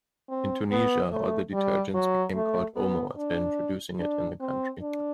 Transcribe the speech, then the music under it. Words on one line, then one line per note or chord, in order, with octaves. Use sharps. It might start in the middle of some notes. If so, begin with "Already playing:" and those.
In Tunisia, all the detergents became called Omo after introducing it in the country.
C4
B3
A3
G3
F#3
A3
B3
D4
D4
C4
D4